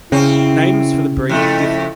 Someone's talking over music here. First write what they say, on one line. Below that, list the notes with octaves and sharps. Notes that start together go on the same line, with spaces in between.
Names for the breed differ.
C#3 C4 C#4 E4
F2 A3 E4